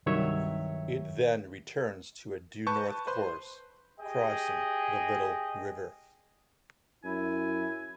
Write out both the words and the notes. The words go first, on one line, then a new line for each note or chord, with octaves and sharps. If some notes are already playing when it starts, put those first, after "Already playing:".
It then returns to a due north course, crossing the Little River.
C2 G2 D#3 F#3 C#5 E5
B4 A5 C#6 G6
B4 C5 C6
G4 G#4 D#5 G5
F#2 E4 G#5